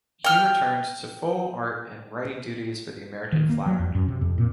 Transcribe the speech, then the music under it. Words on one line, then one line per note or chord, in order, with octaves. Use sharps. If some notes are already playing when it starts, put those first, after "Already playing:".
He returned to full art and writing duties for the American Flagg!
G5 F6
D#3
A#3
F#3
F2
F#2
C3
F2
A#2